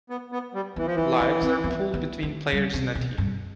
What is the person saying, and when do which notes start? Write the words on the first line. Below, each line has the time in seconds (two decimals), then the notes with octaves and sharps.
Lives are pooled between players in a team.
0.10 B3
0.32 B3
0.54 G3
0.76 E3 B3
0.86 F3
0.95 E3 E4
1.20 D4
1.42 C4
1.64 B3
1.94 B3
2.23 A3
2.52 G3
2.74 C3
2.95 B2
3.18 G2